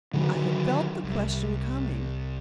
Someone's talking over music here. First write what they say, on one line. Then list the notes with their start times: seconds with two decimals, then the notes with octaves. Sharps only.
I had felt the question coming.
0.14 D3 D#3 F#3
1.03 C2